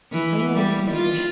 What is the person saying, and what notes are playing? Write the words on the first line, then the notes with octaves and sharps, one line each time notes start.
I know what's there.
E3
G3
F4